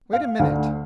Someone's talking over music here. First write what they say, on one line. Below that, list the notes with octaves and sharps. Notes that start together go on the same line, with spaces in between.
"Wait a minute."
F5
D2 D3 A3 F5